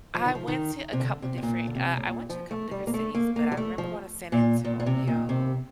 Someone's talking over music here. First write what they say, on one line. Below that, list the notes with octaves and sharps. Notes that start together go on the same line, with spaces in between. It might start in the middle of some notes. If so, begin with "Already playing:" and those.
I went to a couple different, uh, I went to a couple different cities, but I remember going to San Antonio.
F3
D#3
F3
D#3
C3
D3
C3
C3
A#2
D3
C3
A2
A#2
F3
A3
G3
A#3
A3
A#3
A#3
G3
A3
F3
A#2
A#2
A#2
C3
A#2
C3